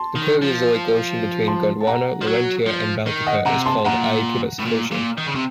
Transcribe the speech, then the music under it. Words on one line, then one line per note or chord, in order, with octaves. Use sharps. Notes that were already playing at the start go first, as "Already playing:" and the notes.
The Paleozoic ocean between Gondwana, Laurentia and Baltica is called the Iapetus Ocean.
Already playing: A5 C6
D#3
F3
A5 C6
A5
F#5 A#5
F3
F#3
F3
D#3
D#5 F#5
C3 F#5 A#5
A5 C6
A#2 F#5 A#5
A2
A#2
A#2
D#3
C#3
C3